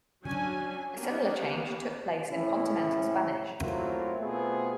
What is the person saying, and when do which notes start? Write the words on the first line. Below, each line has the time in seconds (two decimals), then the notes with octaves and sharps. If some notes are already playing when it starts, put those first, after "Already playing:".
A similar change took place in continental Spanish.
0.25 F#3 C#4 D4 F#4 G#5
0.96 A#3 B3 C#4 G4
2.29 A2 C3 C#4 E4
3.59 F#3 A3 A#3 C4 E4 F4
4.19 B2 A3 B3 C4 F4 G#4